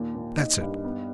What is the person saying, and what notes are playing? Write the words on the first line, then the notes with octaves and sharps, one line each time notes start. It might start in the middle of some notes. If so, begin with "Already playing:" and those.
"That's it!"
Already playing: D#2 A#2
A#2
D#4
G2
B3